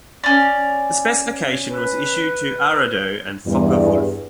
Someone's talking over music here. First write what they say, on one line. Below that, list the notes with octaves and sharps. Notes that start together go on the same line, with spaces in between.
The specification was issued to Arado and Focke-Wulf.
C#4 D5
B4
E2 G2